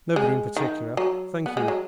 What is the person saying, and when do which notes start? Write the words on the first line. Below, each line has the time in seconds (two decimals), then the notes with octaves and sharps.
"Nobody in particular, thank ye."
0.16 G#3
0.56 D#3
0.97 F#3
1.46 B3
1.57 G#3
1.68 F#3